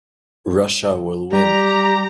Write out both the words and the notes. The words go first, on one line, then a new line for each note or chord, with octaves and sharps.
Russia will win!
G3 G4 A#5